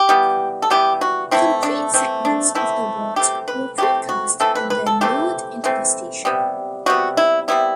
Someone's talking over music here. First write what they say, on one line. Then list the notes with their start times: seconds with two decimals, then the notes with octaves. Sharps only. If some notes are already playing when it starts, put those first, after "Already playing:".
Concrete segments of the vault were pre-cast and then lowered into the station.
Already playing: G4
0.09 E3 G3 B3
0.62 A4
0.70 E3 G3 B3 G4
1.01 F#4
1.31 E3 A3 C4 E4
1.63 D4
1.94 E3 A3 C4
2.25 D4
2.55 E3 A3 C4 E4
3.16 E3 A3 C4 G4
3.48 B4
3.78 E3 A3 C4 G4
4.09 F#4
4.40 E3 A3 C4 A4
4.55 B4
4.70 B4
4.86 A4
5.01 E3 A3 C4 G4
5.64 E3 A3 C4
6.25 C3 G3 B3
6.86 C3 G3 B3 F#4
7.17 E4
7.48 C3 G3 B3 E4